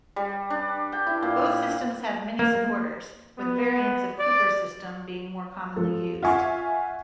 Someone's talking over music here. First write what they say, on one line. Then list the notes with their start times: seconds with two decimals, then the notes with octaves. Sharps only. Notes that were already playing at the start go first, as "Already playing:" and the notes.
Both systems have many supporters, with variants of Cooper's system being more commonly used.
0.16 G3
0.50 D4
0.92 G5
1.07 E4
1.23 A#2
2.39 A#3
3.38 B3
4.19 D5
5.76 F3 A4
6.22 F4 E5 F#5 G#5 C#6